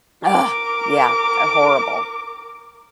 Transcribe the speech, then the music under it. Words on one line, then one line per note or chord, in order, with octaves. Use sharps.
ugh, yeah, uh horrible.
A#4 D6